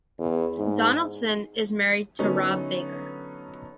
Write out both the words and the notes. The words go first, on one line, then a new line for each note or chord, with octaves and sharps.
Donaldson is married to Rob Baker.
E2
G#2
D3 F#3 A3 B3 C#4 D#4